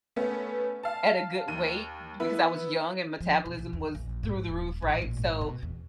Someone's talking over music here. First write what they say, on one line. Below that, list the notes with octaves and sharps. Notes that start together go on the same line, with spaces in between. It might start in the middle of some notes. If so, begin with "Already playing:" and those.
at a good weight b because I was young and metabolism was through the roof, right? So,
A3 B3 C#4
F5 A5
D#2 D#7
B3 E4 B4
F3
B1
B1
E2
A#1
G#2
D#1
A1
A#2
G#1
B2
E2